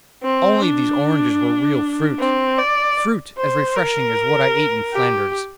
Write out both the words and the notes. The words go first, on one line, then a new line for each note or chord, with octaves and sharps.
'If only these oranges were real fruit--fruit as refreshing as what I ate in Flanders!
C4
D4
C4
D5
C5
A#4
G4